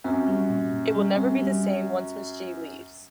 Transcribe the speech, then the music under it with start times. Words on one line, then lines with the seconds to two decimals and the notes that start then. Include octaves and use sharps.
It will never be the same once Ms. G leaves.
0.04 F#2 C4
0.27 G3
0.50 A#2
0.72 A#2
0.95 G3
1.16 C4
1.39 G3